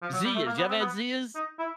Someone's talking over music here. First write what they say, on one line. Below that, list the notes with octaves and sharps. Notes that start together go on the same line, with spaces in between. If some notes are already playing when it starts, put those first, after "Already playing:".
Zea's. You ever had Zea's?
F3
F#3
G3
A3
A#3
B3
C4
B3
D#4
E4